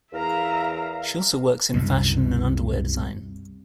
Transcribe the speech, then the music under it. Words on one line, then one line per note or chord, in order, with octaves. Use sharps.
She also works in fashion and underwear design.
E2 A#4 E5 F5 A#5
C2 F#2 B2